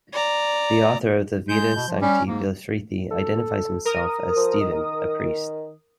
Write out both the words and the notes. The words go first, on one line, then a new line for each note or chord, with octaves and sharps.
The author of the "Vita Sancti Wilfrithi" identifies himself as "Stephen, a priest".
D5 A#5
G#3 G6
B2
F3
G3 C#4
G#2 A#3
A4
A#4 D#6
F3
D#3